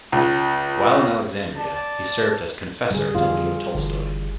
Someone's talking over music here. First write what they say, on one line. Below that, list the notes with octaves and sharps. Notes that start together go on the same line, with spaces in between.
While in Alexandria, he served as confessor to Leo Tolstoy.
C#2
D5 A5
G#2 D3 G3 G#4
F2 D3 E3 F4
F#1 D3 E3